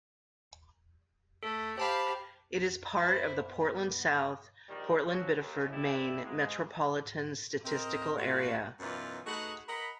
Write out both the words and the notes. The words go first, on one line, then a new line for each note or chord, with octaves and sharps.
It is part of the Portland-South Portland-Biddeford, Maine, metropolitan statistical area.
A3 A4
G4 C5 F5 A5 B5
E4 C5
B3
A#1 D#3 G3 A#4
F3 F#3 C#4
D#2
G2 G3 E4
G#2 G#3
C4 A#4 D#5
G3 A3 F4 F#4
F#2 B2 E3 B3 D#4 F4
A3 D#4 F#4 G#4 B4 F#5
A#4 D#5 F#5 B5